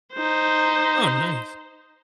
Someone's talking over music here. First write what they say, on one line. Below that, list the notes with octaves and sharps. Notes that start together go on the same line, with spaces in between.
Oh, nice.
D#4 C5